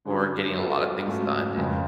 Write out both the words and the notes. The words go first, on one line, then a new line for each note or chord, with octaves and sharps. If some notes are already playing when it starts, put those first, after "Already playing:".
for getting a lotta things done and
D3 F#3 C#4 G#4
F#3 B3 F4 A4
G#2 F#3 A3 C#4 F4
F2 C#3 G#3 B3